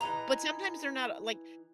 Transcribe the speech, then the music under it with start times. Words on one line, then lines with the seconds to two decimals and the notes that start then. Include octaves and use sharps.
But sometimes they're not, uh, like
0.01 E3 D#5 A#5